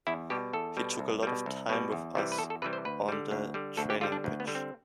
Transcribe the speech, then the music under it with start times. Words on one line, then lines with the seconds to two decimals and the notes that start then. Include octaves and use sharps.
He took a lot of time with us on the training pitch.
0.07 E2 E4
0.30 B2 G3 G4
0.53 E2 A4
0.77 B2 G3
0.99 C2
1.23 B2 G3
1.46 C2
1.69 B2 G3
1.92 E2
2.15 C3 E3 G3
2.32 B4
2.38 E2 A4
2.50 A4
2.62 C3 E3 G3 B4
2.73 C5
2.85 D2 B4
3.08 D3 G3
3.31 D2
3.54 D3 G3
3.77 D2 A4
3.90 G4
4.01 D3 G3 F4
4.12 D4
4.24 D2
4.40 B3
4.48 D3 G3
4.55 C4